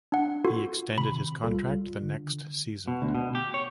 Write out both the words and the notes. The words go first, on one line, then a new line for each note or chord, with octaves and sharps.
He extended his contract the next season.
D4 F#5
F4 F#4 A4
C3 D#3 B5
C2 G3 F4 A4
D3
B2
D2
B2
G4
C#5